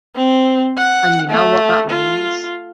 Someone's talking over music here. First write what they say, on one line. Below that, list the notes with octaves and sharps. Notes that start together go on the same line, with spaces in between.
And you know what that means.
C4
F#5
A3
F4